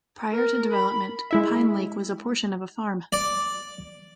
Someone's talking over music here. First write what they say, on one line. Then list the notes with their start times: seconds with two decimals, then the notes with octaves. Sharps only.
Prior to development, Pine Lake was a portion of a farm.
0.33 A#4
0.72 B5
1.31 G#3 E4 E5
3.12 D5